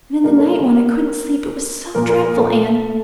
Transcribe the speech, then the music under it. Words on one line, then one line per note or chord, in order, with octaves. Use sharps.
But in the night, when I couldn't sleep--it was so dreadful, Anne.
C#3 G3 A#3 A#4 D5
A4 C#5
A#4
A#4
A#2 F3 A#3 A#4
A#4
A#4
A4